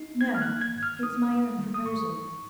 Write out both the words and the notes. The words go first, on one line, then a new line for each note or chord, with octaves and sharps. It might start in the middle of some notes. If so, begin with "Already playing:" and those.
"No; it's my own proposal."
Already playing: D#4
A#3 G#6
F6
F#6
D#3
G#6
G#2
F6
D#4 D#6
A#3
D#3
D#6
G#2 C#6
D#4